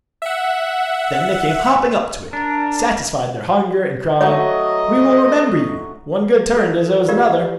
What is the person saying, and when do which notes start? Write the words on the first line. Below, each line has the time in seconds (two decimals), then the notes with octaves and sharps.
Then they came hopping up to it, satisfied their hunger, and cried: 'We will remember you--one good turn deserves another!'
0.22 E5 F#5
2.33 D4 A#4
4.21 F#3 A3 C#5 D#5 C#6
6.57 A4
7.08 F4 G4 A#4 D5 F5